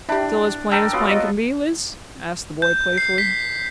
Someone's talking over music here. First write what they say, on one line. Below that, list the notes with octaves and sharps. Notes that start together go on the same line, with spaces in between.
'Still as plain as plain can be, Liz?' asked the boy playfully.
D4 E4 G4
A4 A#4 D5 G5
F#3 B3 F4
D#5
G6
C7
B6